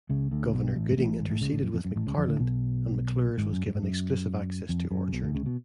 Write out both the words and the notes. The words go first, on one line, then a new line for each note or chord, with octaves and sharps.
Governor Gooding interceded with McParland, and McClure's was given exclusive access to Orchard.
C#2 C#3
D2 D3
B1 B2
A1 A2
G#2
A1 A2
G#1 G#2
A1 A2
C#2 C#3
A1 A2
F#2
F2
F#2
A1 A2
C#2 C#3
F2 F3
D2 D3
B1 B2
G#1 G#2
F#2
F#2
G#2
F#2
F2
F#2
C#3
B1 B2
D2 D3
C#2 C#3
B2